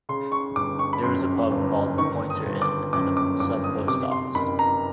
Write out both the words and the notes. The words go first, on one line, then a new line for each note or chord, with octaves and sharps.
There is a pub called "The Pointer Inn" and a sub-post office.
C#3 C6
C#6
G1 D6
C#6
B5
F#2 C6
G1
D#3 C#6
D#6
G1
D6
F#2 D6
D6
G1 D6
D#6
C3 D6
C6
F#1 B5
A#5